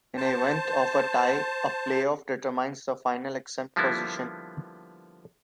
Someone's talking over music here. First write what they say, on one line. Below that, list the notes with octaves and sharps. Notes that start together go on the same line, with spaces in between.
In the event of a tie, a playoff determines the final exempt position.
C5 A5
D3 F3 G3 A#3 B3 E4